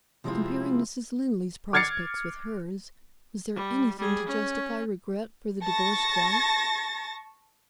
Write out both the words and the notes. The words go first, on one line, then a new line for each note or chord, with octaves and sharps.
Comparing Mrs. Linley's prospects with hers, was there anything to justify regret for the divorced wife?
C3 F3 G#3 C4 E4 F4
D6 F6 G#6 A6 C7 C#7
G3
G3 G#4
C#4
A5 C#6 A6 A#6